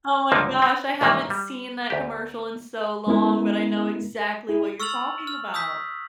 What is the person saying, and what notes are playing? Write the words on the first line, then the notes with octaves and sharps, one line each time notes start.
Oh my gosh! I haven't seen that commercial in so long, but I know exactly what you're talking about.
C#2 G2 D3 F3 A#3
C4
C2 G#2 D#3 E3 A#3
G3
D2 G4
G#3 B3 C#4 E4 A#4
E4 G#4
C#6 E6 F6 A6 F7 F#7
F6
D#6 E6 G6 B6